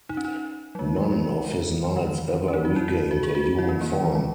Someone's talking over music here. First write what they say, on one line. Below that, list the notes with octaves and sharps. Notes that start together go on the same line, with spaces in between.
None of his knights ever regained a human form.
D#4
C#4
D#4
F#3
G#3
G#3
F#3
G#3
E3
D#3
E3
D#3
E3
C#4
D#4
F#4
E4
E4
F#4
G#4
F#4
F#4
E4
C#4
A#3
D#3
E3
F#3